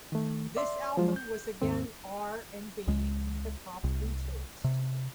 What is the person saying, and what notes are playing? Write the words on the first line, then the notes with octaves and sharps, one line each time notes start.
This album was again R and B and Hip Hop influenced.
D#3 A3
D5 E5 C6
F3 F#3 G#3 F4 C5
G6
D#2 G#2 C4
C#2 G#3
C2
C3